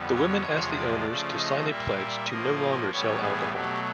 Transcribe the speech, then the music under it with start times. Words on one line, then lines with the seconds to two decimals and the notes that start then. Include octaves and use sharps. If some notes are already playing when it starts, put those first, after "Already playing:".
The women asked the owners to sign a pledge to no longer sell alcohol.
Already playing: F2 D3 G3 B3
0.14 C#5
0.45 E2 C3 F3 G#3
0.75 D5
1.05 C#3 F3 A3
1.37 D#5
1.67 A#2 G3 A#3 E5
1.98 E5
2.29 A2 F3 A#3 D#5
2.92 A2 E3 G3 B3 C#5
3.22 G#4
3.52 B2 F#3 A3 G4